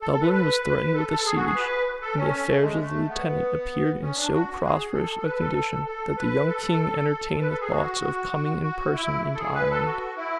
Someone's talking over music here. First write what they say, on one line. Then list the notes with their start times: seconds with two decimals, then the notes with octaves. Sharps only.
Dublin was threatened with a siege; and the affairs of the lieutenant appeared in so prosperous a condition, that the young king entertained thoughts of coming in person into Ireland.
0.02 A4
0.13 A4
0.22 B4
0.33 B4
0.64 B4
0.94 A4
1.09 A4
1.25 G#4
1.36 F#4
1.46 G#4
1.55 B4
2.02 A4
2.17 C#4
2.48 A3
2.63 G#3
2.79 A3
3.09 B3
4.02 C#4
4.17 D4
4.33 F#4
4.63 G#4
4.94 A4
5.19 A4
5.25 B4
5.40 A4
5.86 A4
6.18 B4
6.48 A4
7.39 B4
7.50 A4
7.61 G#4
7.71 F#4
8.62 F#4
8.93 E4
9.35 A4
9.39 G#4
9.54 B4
9.71 A4
9.86 F#4
10.17 E4